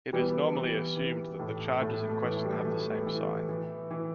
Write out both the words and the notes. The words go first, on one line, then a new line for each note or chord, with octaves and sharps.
It is normally assumed that the charges in question have the same sign.
E3 G3 B3
E3
E3
A2
A2 A3
A3
E3
A3
G3
A3
E3 A3
E3
E3
E3